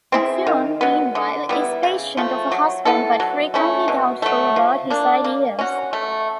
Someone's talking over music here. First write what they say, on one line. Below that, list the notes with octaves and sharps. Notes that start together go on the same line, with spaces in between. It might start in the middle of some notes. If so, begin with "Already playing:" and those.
June, meanwhile, is patient of her husband, but frequently doubtful about his ideas.
C4 E4 G#4
D#3
F#3 B3
D3
G3 B3 E4
C#3
F3 A3 C4
F#3
B3 E4 A4
F#3
A3 C#4 E4
B2
F#3 A3
F3
A#3 D4
A#3
C#4 F#4
A3